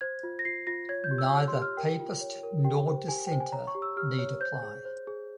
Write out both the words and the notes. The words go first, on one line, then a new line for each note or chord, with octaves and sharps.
Neither Papist nor dissenter need apply.
C5 G#6
F4
A#6
F4 C7
F4 A#6
C#5 G#6
G6
G4
E6
C#5
C6
G4
F6
A#4 G5
F4
C#5
A#4
G4 G5
C5
G4 G#5
C5 G5
G#5
C#5 A#5
C#6
G4
E6
G4 F6
C#5
C5 G6
G#4
C5
G#4